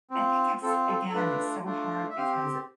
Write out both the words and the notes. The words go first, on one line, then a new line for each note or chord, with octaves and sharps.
I think it's again, it's so hard because
C4
F4
C4 F4 A4
A4
A4
A3 D4 F4 B4
A3 D4 F4
E5
C4 G4 F5